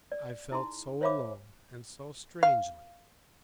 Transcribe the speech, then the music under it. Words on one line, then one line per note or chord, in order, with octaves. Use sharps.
I felt so alone and so strangely.
D5
D#4 E4 G#4 A5 C6
C5 C#5 E5 F5 B5 D6
F5